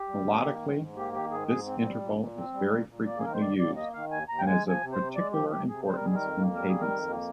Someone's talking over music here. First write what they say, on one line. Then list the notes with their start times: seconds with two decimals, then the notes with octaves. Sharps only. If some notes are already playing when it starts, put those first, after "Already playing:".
Melodically, this interval is very frequently used, and is of particular importance in cadences.
Already playing: G4
0.08 G3
0.27 A#3
0.43 D#3
0.61 G#2
0.79 G#2
0.97 A#3 G4
1.13 D#3 G4
1.31 G#2 G#4
1.48 G#2 G#4
1.65 C4
1.83 G3
2.00 A#2
2.18 A#2
2.36 C4
2.53 G3
2.70 A#2
2.88 A#2
3.06 A#3 D5
3.17 G#4
3.24 D#3 A#4
3.33 C5
3.40 D#2 D5
3.58 D#2 D5
3.76 A#3 D#5
3.93 D#3 F5
4.11 D#2 G#5
4.28 D#2 A#5
4.38 G5
4.46 G#3 G#5
4.64 F3 G#5
4.81 C3
4.92 C5
4.98 C3
5.15 G#3 D5
5.32 F3 G4
5.50 C3 G4
5.69 C3 G#4
5.86 G3 C5
5.96 A#4
6.03 D#3 G#4
6.14 A#4
6.21 F2
6.39 A#3
6.55 G3 A#4
6.69 D#3 G#4
6.81 A#4
6.90 F2
7.07 A#3